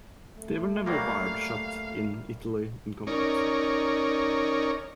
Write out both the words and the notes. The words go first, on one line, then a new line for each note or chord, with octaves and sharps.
They were never wired shut in Italy in combat.
A3
F#3 G3 A#3 F5
C#4 D#4 A#4 C#5 D5